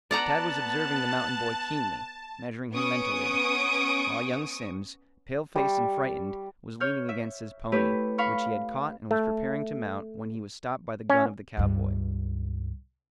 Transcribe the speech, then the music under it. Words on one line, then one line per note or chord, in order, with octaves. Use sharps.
Tad was observing the mountain boy keenly, measuring him mentally, while young Simms, pale-faced and frightened, was leaning against his pony, which he had caught and was preparing to mount when he was stopped by the gun of the cowboy.
B3 D5 F#5 A5 A#5 F#6
B3 C#4 C#6 D#6 D7
G3 C#6
C#5 F6 G6
E5
A3 E4 G4 B4 C#5
F5 B5 C#6 F6
A3
C#4
C#2 G2